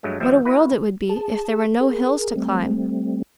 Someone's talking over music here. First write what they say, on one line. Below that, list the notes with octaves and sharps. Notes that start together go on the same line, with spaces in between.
What a world it would be, if there were no hills to climb!
G2 F#3 G#3 A3
D#2 F3 G3 E5
A#3 E4 F#4 B4
G#4 A5
G#4 A#4
G3 A3 C4